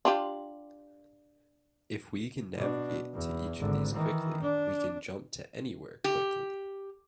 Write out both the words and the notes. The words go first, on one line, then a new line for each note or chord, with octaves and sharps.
If we can navigate to each of these quickly, we can jump to anywhere quickly.
D4 F4 G4
B2 D4
E2
G#1 D3
D#3 E3
D4
G4